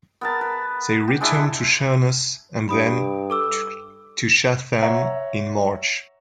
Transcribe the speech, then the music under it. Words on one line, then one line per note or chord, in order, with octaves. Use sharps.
They returned to Sheerness and then to Chatham in March.
B3 A#4 A5
B4
G4
G#3 D4 E4
G2 B5 D#6 D7
A4 D6 E6
C#5 E5 F#5 A#5